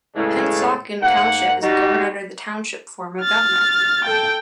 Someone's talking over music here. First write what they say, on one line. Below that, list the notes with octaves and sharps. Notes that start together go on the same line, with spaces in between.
Pennsauken Township is governed under the Township form of government.
A2 C#3 E3 G#3 C#4 A4
G#2 A#3 F#5
G3 D#4 F#4
F6 A6
A4 G5